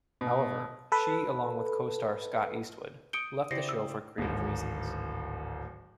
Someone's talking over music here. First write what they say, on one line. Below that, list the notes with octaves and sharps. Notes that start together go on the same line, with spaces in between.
However, she, along with co-star Scott Eastwood, left the show for creative reasons.
B2
A4 B4
D#6 G6 C#7 D7 G7
C#3 E4 G4 C5 D5 A#6 C7 C#7
E6
D1 G#1